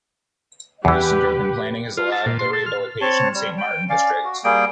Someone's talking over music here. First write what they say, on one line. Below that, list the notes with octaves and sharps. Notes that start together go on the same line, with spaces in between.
Recent urban planning has allowed the rehabilitation of Saint-Martin district.
E2 E3 G4 B4
F4
A5
A#2
C6
A4
F6
C4 C#5 A5
G3
G5
C#4 D5 F5
F#4
G3 A#3 G#4 G5